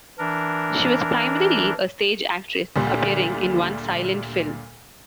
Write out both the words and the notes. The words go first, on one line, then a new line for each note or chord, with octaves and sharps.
She was primarily a stage actress, appearing in one silent film.
E3 D4 A#4
D2 A#2 G3 C6